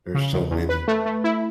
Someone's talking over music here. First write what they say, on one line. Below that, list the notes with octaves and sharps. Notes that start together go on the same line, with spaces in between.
There's so many.
C#3
E2
E2
B4
A3
A3
E4